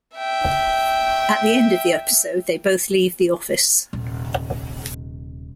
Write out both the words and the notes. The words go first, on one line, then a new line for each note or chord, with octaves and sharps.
At the end of the episode, they both leave the office.
E5 G5
D#1 C3